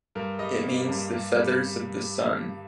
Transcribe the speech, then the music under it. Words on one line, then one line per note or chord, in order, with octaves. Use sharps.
It means the feathers of the sun.
G2 A#4
G3 D#5
A#3
G2
G2
G3